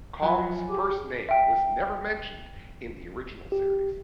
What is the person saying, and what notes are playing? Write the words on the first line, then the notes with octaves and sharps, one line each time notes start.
Kong's first name was never mentioned in the original series.
F3 F#3 F#5 G#5 B5
G4 G#4 D6
E5 G5
G4